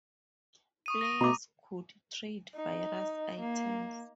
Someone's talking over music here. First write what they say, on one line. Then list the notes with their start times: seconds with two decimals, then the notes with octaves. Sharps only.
Players could trade various items.
0.86 C#6 D#6 D#7
1.01 A#6 D#7
1.21 B2 A#5 D6
2.55 D#4
3.40 A#3